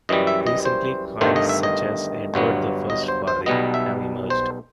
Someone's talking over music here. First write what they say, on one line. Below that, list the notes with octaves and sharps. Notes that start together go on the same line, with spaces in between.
Recently coins such as Edward the First Farthing have emerged.
F#2 E3 G3 D#5
E5
D#5
C5
G1 G2 D#3 A3 C5
D#5
E5
D#5
G1 G2 F#3 B3
D#5
C5
C5
B1 B2 G3 B3 D#5
E5
C5